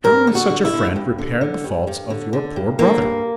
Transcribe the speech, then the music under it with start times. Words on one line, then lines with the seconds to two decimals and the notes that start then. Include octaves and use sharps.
How would such a friend repair the faults of your poor brother!
0.04 G2 A#4
0.27 D3
0.35 F#4
0.50 D3
0.65 E4
0.73 D3
0.96 G2
1.18 D3
1.41 D3
1.64 G2
1.87 G2
2.10 D3
2.33 D3
2.56 G2
2.79 D3 A#3
3.02 G2